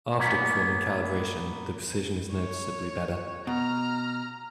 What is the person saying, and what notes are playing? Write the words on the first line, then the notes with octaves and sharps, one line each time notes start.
After performing calibration, the precision is noticeably better.
A2 F#3 A#3 B3 C#4
C#5
B2 A#5 F6